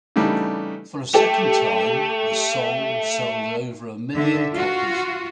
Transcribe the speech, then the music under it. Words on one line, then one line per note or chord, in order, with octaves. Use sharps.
For a second time, the song sold over a million copies.
C#3 E3 G3 A3 D4 D#4
A3 G4 A4
D3 E5
F4 F#4